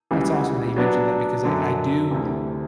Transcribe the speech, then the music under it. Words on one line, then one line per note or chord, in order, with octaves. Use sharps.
that's awesome that you mentioned that because I I do,
C#2 C#3 E3 G3
F#3 B3 D4
F#2 D3 F#3
D2 C3 E3